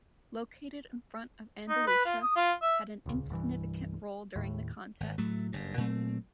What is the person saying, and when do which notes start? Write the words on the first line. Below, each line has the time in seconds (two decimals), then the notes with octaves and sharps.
Located in the front of Andalusia, had an insignificant role during the contest.
1.69 D#4
1.87 B4
2.05 F4
2.23 D#6
2.36 F4
2.62 E5
3.06 D#1 C#2
3.30 C2 G2 E3
4.36 D#2 A2
5.00 G#1
5.18 A2 F#3 A3
5.52 F#1 G2
5.77 A#2 F#3 A3 C4